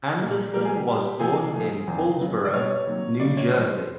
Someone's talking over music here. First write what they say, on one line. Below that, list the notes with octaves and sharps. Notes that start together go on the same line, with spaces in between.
Anderson was born in Paulsboro, New Jersey.
A#2 G3 A#3
A#2 F3 G#3 B3 A#4
G#4
G4
A#2 G3 B3
C3 F3 A#3 G#4
G#2 F3 A3
E2 C3 F3
F2 C#3 F#3 B3
D5
B2 G3 B3 C#5
C3 D#3 F#3 A#3
C#3 F#3 A#3 D5
C#5
A2 E3 G3 C5